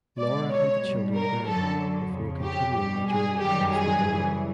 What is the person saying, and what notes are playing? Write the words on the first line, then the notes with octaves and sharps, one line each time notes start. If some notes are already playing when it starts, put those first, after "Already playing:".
Laura and the children bury him before continuing the journey across the border.
B2 G#3 D5
C#5
B2 G3
A#4
F#2 D3 F#3 A4
F2 C#3 F3
G4
B2 G3 G4
G#4
F#2 D#3 G3 G4
G#4
F#2 C#3 E3 G3